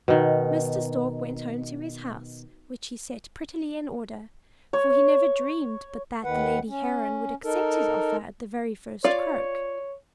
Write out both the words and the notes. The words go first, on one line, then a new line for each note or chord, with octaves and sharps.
Mr. Stork went home to his house, which he set prettily in order: for he never dreamed but that the lady Heron would accept his offer at the very first croak.
B2 D#3
C#5
D#2 D#3 B4 F#5
C#4
D#4 A4 A#4
F4 C#5 D5 F5